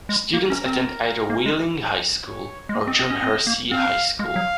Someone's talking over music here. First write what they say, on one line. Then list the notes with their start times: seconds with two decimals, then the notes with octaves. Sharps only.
Students attend either Wheeling High School or John Hersey High School.
0.09 G#3
0.33 A#3 A#4
0.50 C#4
0.66 C4
1.30 A#3
1.46 G#3
2.27 C#5
2.69 G#3
2.74 A#3 D#5
2.87 C4
2.99 C4
3.10 C#4
3.23 C4
3.47 A#3
3.71 C4 F5
4.19 G#3 F5
4.36 F#3